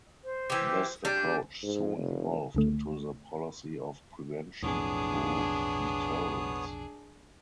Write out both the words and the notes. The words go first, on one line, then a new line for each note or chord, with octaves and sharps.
This approach soon evolved into the policy of Prevention through Deterrence.
C5
E3 G4
G3 D4 G6
G#2
F1
C#2 D3 A3
B1 F2 A2 B3 D4 G#4 C#5 D#6